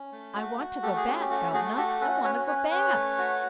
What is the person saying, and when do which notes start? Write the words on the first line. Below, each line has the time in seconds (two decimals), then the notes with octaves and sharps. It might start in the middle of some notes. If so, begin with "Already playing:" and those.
I want to go back, governor--I want to go back!'
Already playing: C#4
0.12 A3
0.36 F#4
0.59 F#4
0.82 A3 G4 A4
0.97 G#4
1.07 C#4 G4
1.20 G4
1.29 A3 F#4
1.54 A3 F#4 G#4
1.77 F#4 G4 A4
2.00 C#4 A4 B4
2.24 C#4 B4 C#5
2.47 C#4 B4 C#5
2.71 C#4 B4 C#5
2.94 A3
3.18 F#4